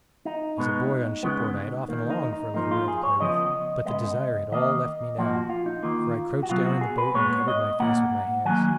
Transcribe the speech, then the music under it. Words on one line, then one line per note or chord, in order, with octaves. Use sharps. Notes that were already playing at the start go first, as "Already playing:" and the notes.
As a boy on shipboard I had often longed for a little whale to play with, but the desire had all left me now, for I crouched down in the boat and covered my face with my hands.
D#4
B2 G#3 B3
C#3 G#3 B3
D#3 A#3
D#4
D#4
A#2 F3 A#3 D#4
F4
G#4
C#5
C#3 F3 B3 D#5
C#3 G#3 B3 D#5
D#3 A#3 D#5
A#2 F3 A#3 F#4
F#4
F4
D#4
D#3 A#3 F4
F#4
B2 F#3 B3 F4
F#4
G#4
B4
A#2 G#3 B3 C#5
D#5
A#2 F#3 A#3 F#5
D#3 F#3 A#3 G#5